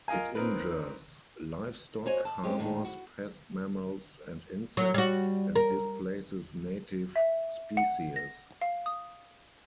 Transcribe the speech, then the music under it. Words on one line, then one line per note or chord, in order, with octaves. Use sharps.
It injures livestock, harbors pest mammals and insects, and displaces native species.
F4 A#4 D#5 F5 G#5
C4 D#4 A#4 B4
F#4 C5 C#5 D#5 G#5
A5
G#3 C4 C#4 G4
D#2 A2 D4 D#4
F#4
F#3
G3 F#4
A#4
E5
F#5
A#6
F5
D#6